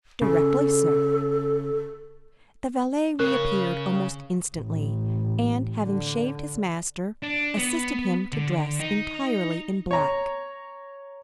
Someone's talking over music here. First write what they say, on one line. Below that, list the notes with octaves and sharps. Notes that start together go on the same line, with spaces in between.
"Directly, sir." The valet re-appeared almost instantly, and, having shaved his master, assisted him to dress entirely in black.
C#3 A4
C#3 A#4 F#6
A1
D3
D4
B3
D3
D#4
C#5 A#5